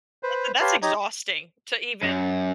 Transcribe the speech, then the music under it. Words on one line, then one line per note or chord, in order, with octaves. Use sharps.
That's e that's exhausting to even
B4 C5
G4 B4 C#5 F5 A5 C6
D#4 G4 C#5 D#5 A#5
F#2